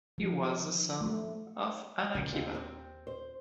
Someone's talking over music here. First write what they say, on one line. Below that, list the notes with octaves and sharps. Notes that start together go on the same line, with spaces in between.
He was the son of Anaquiba.
F3
A3
C#2 A#2
D#2 G#3 C4 F4
C4
C5